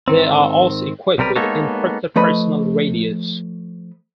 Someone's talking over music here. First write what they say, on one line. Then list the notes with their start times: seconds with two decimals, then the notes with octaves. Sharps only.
They are also equipped with encrypted personal radios.
0.08 G#2 D#3 C4
1.18 B1 C3 G3 A#4 B4
1.36 G#3 A#3 B3 D#4 A4 C#5
2.16 F3 A3 B4 D#5 B5